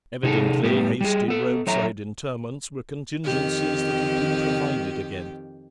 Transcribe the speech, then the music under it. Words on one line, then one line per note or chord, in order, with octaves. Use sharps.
Evidently hasty roadside interments were contingencies that had been provided against.
C3 D#4 G#4 A4
A2 G3 B3
G3 G#4
B3 A4
F#3 A4 C#5 E5 A#5
F2 D#3 G4